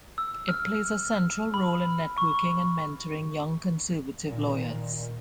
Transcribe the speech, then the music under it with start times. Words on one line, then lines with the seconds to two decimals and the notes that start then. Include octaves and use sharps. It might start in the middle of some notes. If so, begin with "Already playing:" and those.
It plays a central role in networking and mentoring young conservative lawyers.
0.18 E6
0.49 F6
1.54 B5
2.18 C#6
4.28 A#2 D#3